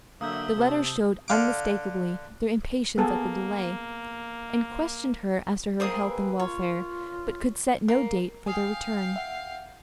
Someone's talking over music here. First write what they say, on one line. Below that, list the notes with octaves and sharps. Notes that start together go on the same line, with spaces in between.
Their letters showed unmistakably their impatience at the delay, and questioned her as to her health and welfare, but could set no date for their return.
D3 F#3 A#3 E5 D#6 E6 G6
C3 A5
D3 F5 D6
A#3 B3 G#4 A4
D#3 A#3 C4 G#4 D#6
B4
F4 C#5
A#3
F5 G5 G#5 D#6
E5 F#5